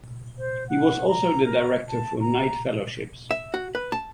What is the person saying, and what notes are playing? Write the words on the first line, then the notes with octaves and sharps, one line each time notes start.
He was also the director for Knight Fellowships.
C5
F#5
A#5
A#4
A5
A#5
E5
F#4
B4
A5